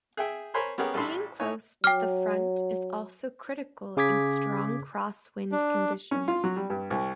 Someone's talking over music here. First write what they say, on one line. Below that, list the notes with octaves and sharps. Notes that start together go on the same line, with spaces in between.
Being close to the front is also critical in strong crosswind conditions.
G#4 E5 G5
A#4 C5 C#5 G#5 B5 C6
B3 C#4 G4 G#4 A#4
A1 G3 A4 B5 C6 E6
D#4 E4 C#5 G#5
F#3 G5 D6 F6
C#3 G#4 D6 G#6 B6
D4
C#4
F4
F#3
G3
G2
C2